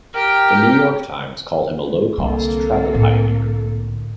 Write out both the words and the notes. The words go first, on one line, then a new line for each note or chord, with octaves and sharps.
The New York Times called him a low-cost travel pioneer.
G4 A#4 G5
C2 D3 G3 A#3 C4 A4
A2